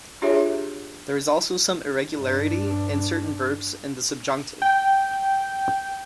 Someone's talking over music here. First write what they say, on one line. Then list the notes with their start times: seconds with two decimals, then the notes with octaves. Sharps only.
There is also some irregularity in certain verbs in the subjunctive.
0.22 D4 F4 G4 G#4 C#5 E5
2.13 G2 D4
4.62 G5